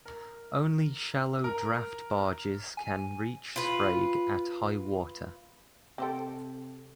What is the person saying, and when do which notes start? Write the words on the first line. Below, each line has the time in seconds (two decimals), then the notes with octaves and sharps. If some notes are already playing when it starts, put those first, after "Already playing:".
Only shallow draft barges can reach Sprague at high water.
0.05 A#4
1.44 A#4
2.77 G#5
3.56 F4 B4
5.98 C3 C4 G4 A4 C5 G5